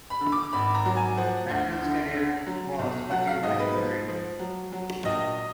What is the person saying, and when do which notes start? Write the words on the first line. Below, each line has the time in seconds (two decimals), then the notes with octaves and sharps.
Mackerell's career was curtailed by heavy drinking.
0.10 B5
0.21 D3
0.32 D6
0.53 G#1 B5
0.75 A#5
0.85 F#3
0.96 G#5
1.17 F3 F#5
1.50 D2
1.82 D3
2.14 D3
2.46 F#3
2.79 B1
3.11 F#3 F#5
3.27 F5
3.43 G#2 D#5
3.59 B4
3.76 F3
4.08 F3
4.39 F#3
4.72 F#3
5.05 A#1 D#5